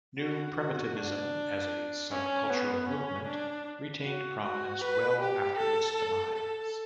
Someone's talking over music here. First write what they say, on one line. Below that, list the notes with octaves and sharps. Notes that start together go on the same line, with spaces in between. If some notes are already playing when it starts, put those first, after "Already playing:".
New Primitivism as a sub-cultural movement retained prominence well after its demise.
F#4
F#4
D4
C#4
B3
C#4
D4
F#4
F#4
B4
G4
A4
A4